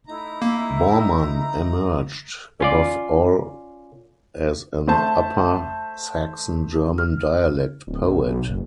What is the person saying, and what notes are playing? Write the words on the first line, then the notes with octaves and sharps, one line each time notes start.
Bormann emerged above all as an Upper Saxon German dialect poet.
A3 D#4 E4 A#5
A#3
C#4 F4 D5
A3 C5 A5
F6
D1
B1
F#1